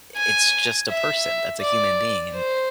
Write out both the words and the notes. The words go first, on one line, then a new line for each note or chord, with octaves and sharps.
it's just a person, that's a human being. And
G#5
E5
D5
C5